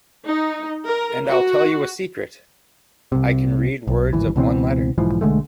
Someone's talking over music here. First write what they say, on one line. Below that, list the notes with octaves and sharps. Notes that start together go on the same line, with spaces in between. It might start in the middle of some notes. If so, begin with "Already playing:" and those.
And I’ll tell you a secret—I can read words of one letter!
D#4
A#4
F#4
C2 C3
B1
D1 G#1 E3
C#2 B2 E3 C4
B1 G#2 E3 F3
B1 D3 G#3 A3